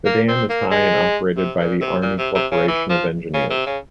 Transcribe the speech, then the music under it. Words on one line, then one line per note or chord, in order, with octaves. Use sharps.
The dam is high and operated by the Army Corporation of Engineers.
A#3
C4
A#3
G#3
C3
A#2
C3
A#2
C3
C3
C#3
E3
F3
C#3
C3
C#3